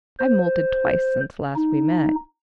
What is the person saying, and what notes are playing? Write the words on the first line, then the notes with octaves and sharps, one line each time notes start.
I've moulted twice since last we met.
C5
D#4